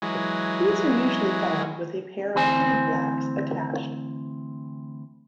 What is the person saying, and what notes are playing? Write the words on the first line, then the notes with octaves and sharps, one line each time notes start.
These are usually found with a pair of penny blacks attached.
E3 F#3 G#3
D2 E3 C4 C5 G#5